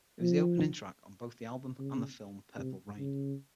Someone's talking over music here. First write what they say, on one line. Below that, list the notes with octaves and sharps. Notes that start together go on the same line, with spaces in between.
It was the opening track on both the album and the film "Purple Rain".
F3
C#3
C3
C#3